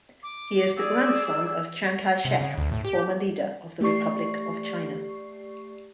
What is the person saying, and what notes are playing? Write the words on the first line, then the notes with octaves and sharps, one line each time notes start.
He is the grandson of Chiang Kai-shek, former leader of the Republic of China.
D6
G#4 D5 E6
C3
C#3
D2
A2
G4
A3 G4 D5 C#6 C7